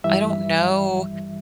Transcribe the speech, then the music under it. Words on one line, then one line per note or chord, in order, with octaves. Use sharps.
I don't know
G2 E3 G3 E5